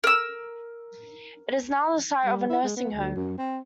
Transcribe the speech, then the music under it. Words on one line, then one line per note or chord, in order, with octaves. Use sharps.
It is now the site of a nursing home.
A#4 E6
G3
E4
G#3
B3
D2
F#2
C4